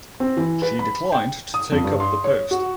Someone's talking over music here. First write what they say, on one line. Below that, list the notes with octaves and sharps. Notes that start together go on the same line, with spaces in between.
She declined to take up the post.
C4
E3
B4
B5
G5
D#6
F2
G2
C6
C#5
F#4